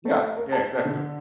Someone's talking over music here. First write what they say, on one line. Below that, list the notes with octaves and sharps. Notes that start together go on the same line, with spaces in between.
Yeah. Yeah, exactly.
A3
A#4
A5
D3